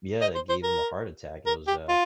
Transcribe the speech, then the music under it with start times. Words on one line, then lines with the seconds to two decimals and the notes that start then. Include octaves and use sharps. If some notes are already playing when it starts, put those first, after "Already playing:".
yeah, it gave him a heart attack, it was, uh
0.21 D#5
0.35 C5
0.49 C5
0.63 A#4
1.46 A#4
1.68 G4
1.89 F4